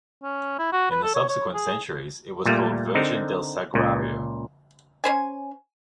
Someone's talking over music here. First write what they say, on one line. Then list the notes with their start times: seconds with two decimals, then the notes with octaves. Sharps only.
In the subsequent centuries, it was called Virgen del Sagrario.
0.23 C#4
0.59 E4
0.72 F#4
0.91 B4
1.03 A4
1.15 C#5
1.29 C#5
1.54 G#4
2.45 A#2 G3 A3 A#3
2.95 D3 C4 D#4 A#4
3.74 C#2 A#2
5.04 C#4 C5 G#5